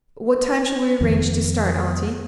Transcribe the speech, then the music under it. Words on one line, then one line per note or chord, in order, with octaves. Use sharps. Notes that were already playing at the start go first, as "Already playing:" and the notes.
"What time shall we arrange to start, auntie?"
F2 D#3 F3 B3